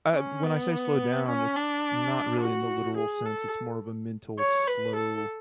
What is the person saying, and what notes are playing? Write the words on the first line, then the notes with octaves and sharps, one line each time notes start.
Uh, when I say slow down, it's not really in the literal sense, it's more of a mental slow,
C#4
B3
C#4
D4
F#4
G#4
A4
C#5
B4
A4